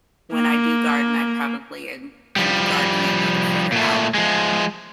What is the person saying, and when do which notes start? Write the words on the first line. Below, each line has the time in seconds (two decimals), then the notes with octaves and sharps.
when I do garden, I probably am gonna be gardening a little further out.
0.33 A#3
2.36 F3 G3
3.72 A#2 A3
4.14 F3 G#3